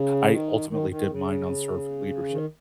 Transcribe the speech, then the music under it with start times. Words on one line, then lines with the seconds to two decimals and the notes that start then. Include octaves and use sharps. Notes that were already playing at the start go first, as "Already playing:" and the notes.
I ultimately did mine on servant leadership,
Already playing: C#3
0.30 D#3
0.70 D#3
0.90 D#3
1.10 C#3
2.30 D#3